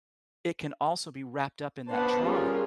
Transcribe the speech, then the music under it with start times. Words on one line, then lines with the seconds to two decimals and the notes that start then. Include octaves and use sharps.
it can also be wrapped up in that trauma.
1.88 B3 D4 B4 C5 F#5 A5
2.22 G3 C#4 F4 G#4 A#4